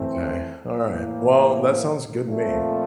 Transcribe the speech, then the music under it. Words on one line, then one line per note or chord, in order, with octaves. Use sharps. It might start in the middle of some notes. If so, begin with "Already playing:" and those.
Okay, all right, well, that sounds good to me.
Already playing: E3 A3 C4
A2 E3 A#3
A#2 F3 A3 C4